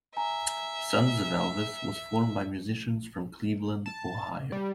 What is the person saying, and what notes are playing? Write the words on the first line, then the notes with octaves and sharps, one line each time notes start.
Sons of Elvis was formed by musicians from Cleveland, Ohio.
E5 G#5 A#5
A5
G3